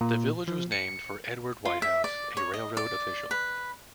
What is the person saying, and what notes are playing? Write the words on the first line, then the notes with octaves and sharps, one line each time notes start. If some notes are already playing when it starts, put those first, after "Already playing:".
The village was named for Edward Whitehouse, a railroad official.
A#2
F3
C#7
F4
E5
D5
C#5
D#5
D5
B4